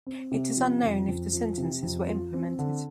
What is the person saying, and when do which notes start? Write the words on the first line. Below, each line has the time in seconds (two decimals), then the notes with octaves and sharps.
It is unknown if the sentences were implemented.
0.06 C4
0.31 C3
0.57 F3
0.83 F2
1.08 F2
1.33 F3
1.58 C3
1.83 F2
2.08 F4
2.34 C4
2.59 D3